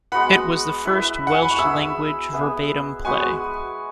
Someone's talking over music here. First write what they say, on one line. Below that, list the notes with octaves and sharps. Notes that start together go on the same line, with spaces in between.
It was the first Welsh-language verbatim play.
G#3 B3 F#4 B4 F#5 B5
E4 B4 E5
F#5
G#5
B5
C#6
E4 G#4 E5 B5 E6
B3 G#4 B4 E5
G#3 B3 F#4 B4 G#5 C#6